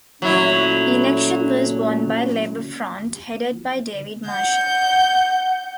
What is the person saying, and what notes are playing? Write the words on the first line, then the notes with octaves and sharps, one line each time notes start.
The election was won by Labour Front, headed by David Marshall.
A#2 F#3 A3 C#4 E4
F#5 G6